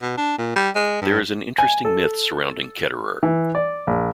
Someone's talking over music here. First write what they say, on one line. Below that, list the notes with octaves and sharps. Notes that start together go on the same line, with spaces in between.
There is an interesting myth surrounding Ketterer.
B2
D4
A#2
G3
G#3
G2
G#5
A4
E3
D5
A#1